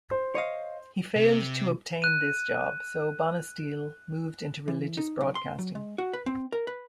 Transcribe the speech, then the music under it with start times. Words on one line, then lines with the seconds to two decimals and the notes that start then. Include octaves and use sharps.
He failed to obtain this job, so Bonisteel moved into religious broadcasting.
0.11 C5
0.35 C#5 D#5 F5
1.16 C3
2.02 F#6 D#7
4.68 E3
4.97 D#4
5.21 B1
5.35 C6
5.59 F#3
5.75 G#3
5.98 F#4
6.13 B4
6.26 C4
6.52 A#4
6.67 B4